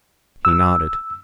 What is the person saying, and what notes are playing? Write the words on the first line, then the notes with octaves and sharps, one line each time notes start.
He nodded.
E6